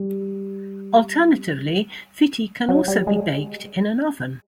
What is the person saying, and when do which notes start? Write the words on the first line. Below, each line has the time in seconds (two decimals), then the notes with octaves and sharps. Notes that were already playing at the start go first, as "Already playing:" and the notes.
Alternatively, phitti can also be baked in an oven.
Already playing: G3
2.68 F#3
2.88 G3
3.07 G#3